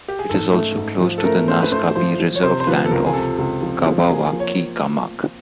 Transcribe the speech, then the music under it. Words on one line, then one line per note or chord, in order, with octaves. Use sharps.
It is also close to the Naskapi reserved land of Kawawachikamach.
G4
G#4
G#2 A4
A3
G#2
F3
A4
A3 A#4
A3 C5
B4
A3 C5
F3 C5
F3
C#5
C3 C5
C5
F3 B4
A4
C#2 A#4
G#4
C3 A4
C#2
F3
F3
A#3 G#4
F3
C#5